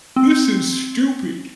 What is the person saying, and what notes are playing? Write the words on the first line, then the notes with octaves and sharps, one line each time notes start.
this is stupid.
C4